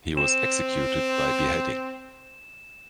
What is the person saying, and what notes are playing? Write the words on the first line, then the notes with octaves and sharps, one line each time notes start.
He was executed by beheading.
C4 E7